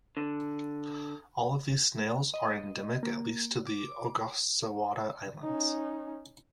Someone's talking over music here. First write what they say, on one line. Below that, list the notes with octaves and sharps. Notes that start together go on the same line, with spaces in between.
All of these snails are endemic at least to the Ogasawara Islands.
D3
D#5
A#3
D6
C#4 D#4